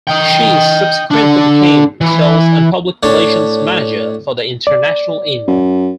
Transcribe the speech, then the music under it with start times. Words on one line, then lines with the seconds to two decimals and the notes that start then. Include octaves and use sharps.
She subsequently became sales and public relations manager for the International Inn.
0.09 D#5 G5
1.11 D4 A4
2.01 E3
3.03 A2 D4 C#5 A5
4.67 D5
5.47 F#2